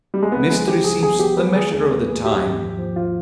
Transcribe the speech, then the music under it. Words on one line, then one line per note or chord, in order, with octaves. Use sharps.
Mystery seems the measure of the time!
G3
G#3
C2 B3
F3 G#3
F3 G4
C2 G#4
B3 G#4
B3 G4
G#3 B4
D#3 G#4
D#2 G#4
D#2 B4
D#2 G#4
D#2 G4
G#2
F3
F3
F3 F4